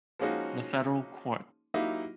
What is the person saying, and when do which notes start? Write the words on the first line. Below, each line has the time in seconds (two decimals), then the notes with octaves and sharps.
The federal court.
0.19 F3 G#3 A#3 C#4 D#4 F#4
1.74 F#3 A#3 D#4 E4 G4